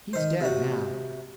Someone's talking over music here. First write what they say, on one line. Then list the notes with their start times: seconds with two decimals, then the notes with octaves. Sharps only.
He's dead, now.
0.13 D#3 C5
0.41 C3 F#4